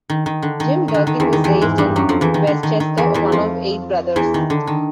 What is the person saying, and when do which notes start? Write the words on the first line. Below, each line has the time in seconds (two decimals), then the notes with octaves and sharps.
Jim Durkin was raised in Westchester, one of eight brothers.
0.10 D#3
0.26 D#3
0.42 D3
0.60 D#3
0.88 D#3
0.94 D3
1.07 D#3
1.20 E2 E3
1.33 D#3
1.44 E2 E3
1.62 G#2 G#3
1.78 G2 G3
1.96 F#2 F#3
2.09 F2 F3
2.21 E2 E3
2.34 D#3
2.47 D3
2.63 D#3
2.80 D#3
2.98 E2 E3
3.14 E2 E3
3.32 F2 F3
4.16 E2 E3
4.34 D#3
4.50 D3
4.67 D#3